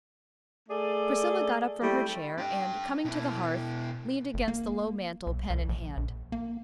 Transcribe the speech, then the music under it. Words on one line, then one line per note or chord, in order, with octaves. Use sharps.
Priscilla got up from her chair, and, coming to the hearth, leaned against the low mantel, pen in hand.
A3 G#4 A4 D5
G3 A3 C4 E4
D4 G5
B2 E4
F#1
A#3
B1
C2
A#1
A#1
A#3